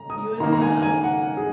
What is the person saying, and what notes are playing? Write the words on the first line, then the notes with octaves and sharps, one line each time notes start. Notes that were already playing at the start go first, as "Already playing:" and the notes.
You as well.
Already playing: A#5
D#6
D#3 A#3 A#5
A#5
G#5
G#5
F#5
G#4